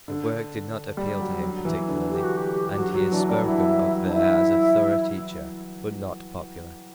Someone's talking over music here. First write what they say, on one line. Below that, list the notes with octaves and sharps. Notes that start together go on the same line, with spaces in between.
The work did not appeal to him particularly and he is spoken of there as a thorough teacher, but not popular.
D3
G3
F#3
F#3
E3
D3
G4
F#4
G4
G4
F#3 F#4
F#3 F#4
E3 D4
G3 D4
F#3 E4
D4
E4